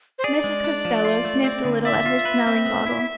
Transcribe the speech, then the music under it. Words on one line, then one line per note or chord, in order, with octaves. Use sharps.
Mrs. Costello sniffed a little at her smelling bottle.
C5
G#4 D5
G#3
D4
F3
F4
A3
C4
D3
D5 E5
F4
B4
C4
B3
E4